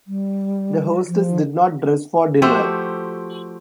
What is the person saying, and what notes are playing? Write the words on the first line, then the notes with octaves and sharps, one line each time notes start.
The hostess did not dress for dinner.
G3
F3
F3 A3 F#4 G4 C5